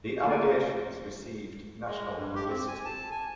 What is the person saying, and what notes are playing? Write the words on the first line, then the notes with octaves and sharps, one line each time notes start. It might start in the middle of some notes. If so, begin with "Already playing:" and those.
The allegations received national publicity.
A3 A#3 F4 A#4 D5 G#5
G#3
G2
G4
C4
G#5
A5
G#5